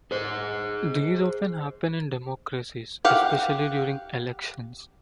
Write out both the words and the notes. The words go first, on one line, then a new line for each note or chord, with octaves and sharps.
These often happen in democracies, especially during elections.
G#4 C5
G4 F5 F#5